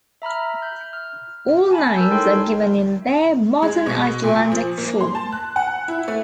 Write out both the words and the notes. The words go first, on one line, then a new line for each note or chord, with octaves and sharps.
All names are given in their Modern Icelandic form.
E5 A#5 B5 F6
G6
F6
G#5 A5 B5
A#4 A5 E6 G6
D#4 E4 A4 C#5 G5 C6
G#3
B2
A#2
F3
A#3
C6
A5
F#6
F#5
E4
A3